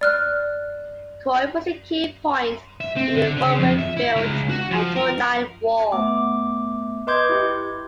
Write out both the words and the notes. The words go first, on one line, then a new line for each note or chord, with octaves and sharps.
Croy was a key point in the Roman built Antonine Wall.
D5 F6 F#6
E5
C4
D3
C#3
F2
E5
E4
C#2
F#4
F3
A#4
A3 B3 D6
B4 D#5 C6 D6 G6 G#6
E4 G4